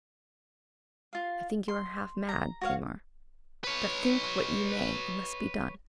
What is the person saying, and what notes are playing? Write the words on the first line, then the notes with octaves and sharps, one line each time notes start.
I think you are half mad, Tamar; but think what you may, it must be done.
F4 F5
C6
A#5
F#4 C#5 F5
B4 C#5